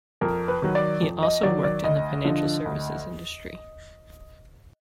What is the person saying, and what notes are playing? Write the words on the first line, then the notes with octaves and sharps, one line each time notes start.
He also worked in the financial services industry.
F2 A#4
B4
D#3 F#3
D5
F2
D#5
D#3 F#3 D5
D5
D2 D#5
D3 F3
D2